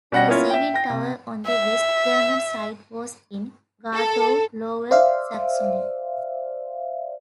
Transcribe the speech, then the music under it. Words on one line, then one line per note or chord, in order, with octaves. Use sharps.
The receiving tower on the West German side was in Gartow, Lower Saxony.
B2 G3 F#5 G5 A#6
A#3 B3 C#4 E4 F4 C#5
E5 G5
G5 A#6
C3
E5
A4
C5 D5 E5 F5